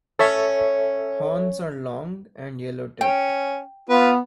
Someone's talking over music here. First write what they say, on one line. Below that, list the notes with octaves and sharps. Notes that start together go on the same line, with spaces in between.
Horns are long and yellow-tipped.
C#4 A4 C#5 E5
C#4 G5
B3 F4 B4